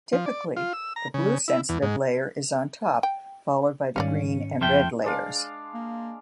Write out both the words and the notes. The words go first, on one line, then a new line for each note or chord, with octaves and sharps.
Typically the blue-sensitive layer is on top, followed by the green and red layers.
F3
D5
F4
E6
A#5
C#3
E4
E2
G#2
G5
G#2 D#3 G3 C#4 D5 D#5 F5
F2 E5 G5 A5 C6 F6
G#3 D4 F5
A#3